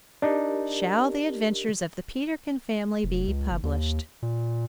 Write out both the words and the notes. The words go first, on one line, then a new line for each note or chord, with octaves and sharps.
Shall the adventures of the Peterkin family be published?
D4 D#4 G4 A#4
F1
C#2
F#1
D#2
A#2